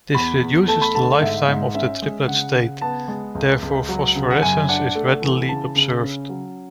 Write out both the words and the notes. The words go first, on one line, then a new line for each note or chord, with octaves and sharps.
This reduces the lifetime of the triplet state, therefore phosphorescence is readily observed.
E2 B5
E2
A3 A5
B5
D3 A5
G#2 E5
G#2
C#4 E5
G#3
C#3 F#5
C#3
B3 A5
G#3
C#2
C#2
F#3
C#3
F#5
F#2 G#5
D4 F#5
A3
E3
C#3 A5
C#3
C#4
F#3